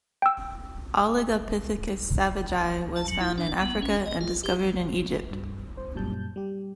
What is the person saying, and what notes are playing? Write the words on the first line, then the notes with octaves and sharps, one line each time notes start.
"Oligopithecus savagei" was found in Africa and discovered in Egypt.
G5 E6
A5
F#3
E4
D4
B3
C#4
D#5
F4
G4
G2
C5
F#2 A#2 G3 A5 G6
G3 G4